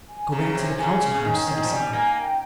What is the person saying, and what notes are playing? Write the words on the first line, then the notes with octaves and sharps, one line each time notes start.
"Go back to the Council House," said Asano.
G#5
C#3 A#5
C3 G#5
C#3 G#5
C#3
D#3
D#3
F3
G3 G#5
A#3
G5